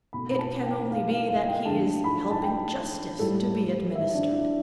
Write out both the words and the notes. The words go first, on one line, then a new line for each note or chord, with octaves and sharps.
It can only be that he is helping Justice to be administered.
B2 A3 B5
B5
A5
G5
F5
F5
F5
G5
D3 F3 A3 A5
B5
A5
G5
A2 G3 A4
E4
D4
E4